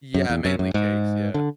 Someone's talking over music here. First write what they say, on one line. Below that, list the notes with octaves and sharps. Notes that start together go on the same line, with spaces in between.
Yeah, mainly cakes, yeah.
F#2
E2
F#2
F#2
G#2
D3